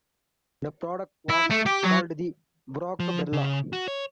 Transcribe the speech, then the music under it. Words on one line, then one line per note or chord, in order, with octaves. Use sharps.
The product was called the Brockabrella.
E4
A3
G4
F#3
F3
C#3
F#4
C#5